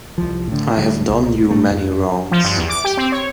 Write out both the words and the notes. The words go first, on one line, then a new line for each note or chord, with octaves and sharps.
I have done you many wrongs.
C2 F3
A2 D3
D1 D2 G3
C2
A2 A3
F2
F3
G2
E2
D6
G4
C4
C#5